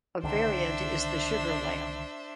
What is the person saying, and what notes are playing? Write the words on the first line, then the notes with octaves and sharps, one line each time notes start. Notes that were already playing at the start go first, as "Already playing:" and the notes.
A variant is the sugar lamb.
C2 D3 D#3 D4 C5 E5